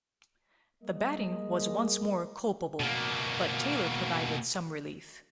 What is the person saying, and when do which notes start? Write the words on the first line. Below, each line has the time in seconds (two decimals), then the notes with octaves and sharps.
The batting was once more culpable, but Taylor provided some relief.
0.83 G3 G#3 A#3 D#5
2.80 B2 A#3